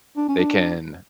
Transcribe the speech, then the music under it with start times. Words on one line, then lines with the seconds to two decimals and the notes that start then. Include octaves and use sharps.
they can
0.17 D4
0.28 C#4
0.38 D4